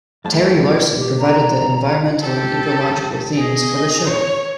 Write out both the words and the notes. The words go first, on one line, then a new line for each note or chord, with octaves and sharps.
Terry Larsen provided the environmental and ecological themes for the show.
F2 A2 F#3 A3 A5
G4
A#5
G4 A4
G#4 D#5
C#5